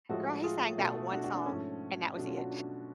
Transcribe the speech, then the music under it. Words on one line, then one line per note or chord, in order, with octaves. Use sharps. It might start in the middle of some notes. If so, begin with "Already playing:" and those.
Girl, he sang that one song, and that was it.
A2 F3 G#3 F#4 A4
F4 G#4
B2 A3
D4 F#4
D4 F#4
D4
G#2 F3 A3 C#4
B2 F#3 A3 D4
C#4 F4
D4 F#4
D4